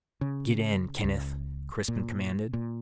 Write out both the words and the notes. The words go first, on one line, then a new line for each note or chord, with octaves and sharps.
"Get in, Kenneth," Crispin commanded.
C#3
C#2
A#2
A#2